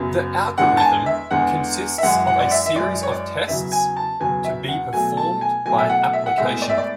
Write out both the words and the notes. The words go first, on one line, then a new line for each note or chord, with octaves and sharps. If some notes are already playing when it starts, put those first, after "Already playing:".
The algorithm consists of a series of tests to be performed by an application.
Already playing: F#2 C#3 F#3 B3
E2 D3 G#3 F#5
A5
G#5
E5
E2 D3 G#3 F#5
E5
F#2 E3 G#3 F#5
F#5
D5
E5
E5
F#2 E3 G#3 D5
C#5
D5
E2 C#3 F#3 E5
G#5
A5
E2 C#3 F#3 G#5
E5
F#5
B2 F#3 A3 G#5
A5
G#5
B2 F#3 A3 G#5
E5
F#5
E5
F#5
A2 G#3 B3 E5
D5
E5
D5